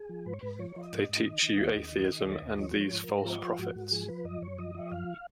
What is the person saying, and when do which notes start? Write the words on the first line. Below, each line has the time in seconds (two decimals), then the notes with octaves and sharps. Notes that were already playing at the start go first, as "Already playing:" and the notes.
They teach you atheism and these false prophets.
Already playing: G#4
0.09 F3
0.26 G#2 B4
0.34 C#5
0.41 G#2 B4
0.59 F3 C#5
0.76 F3
0.81 D#5
0.93 G#2
1.03 D#5
1.09 G#2
1.26 D#3
1.42 D#3
1.59 D#2
1.76 D#2
1.92 D#3
2.09 D#3
2.25 D#2
2.42 D#2
2.59 F3 C#5
2.75 F3
2.81 C#5
2.92 G#2
3.03 A#4
3.09 G#2
3.25 F3 F4
3.42 F3
3.58 G#2 F#4
3.75 G#2
3.91 F3 G#4
4.08 F3 B4
4.25 F#2 D#5
4.42 F#2 C#5
4.58 F3 D#5
4.75 F3
4.92 F#2 F5